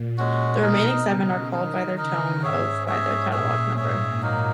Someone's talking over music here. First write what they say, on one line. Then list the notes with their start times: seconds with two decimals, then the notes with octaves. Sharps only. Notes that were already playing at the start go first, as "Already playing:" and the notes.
The remaining seven are called by their tone of by their catalog number.
Already playing: A#2
0.18 A#2 G#3 C#4 F#4
0.62 B2 D#4 A#4 D#5
1.07 C#3 D#4 A#4 D#5
1.52 D#3 D#4 A#4 D#5
1.97 C#3 D#4 A#4 D#5
2.42 G#2 C#4 G#4 C#5 E5
2.87 C#4 G#4 C#5 E5
3.32 A#2 C#4 G#4 C#5 E5
3.77 G#2 C#4 G#4 C#5 E5
4.22 F#3 A#3 D#4 A#4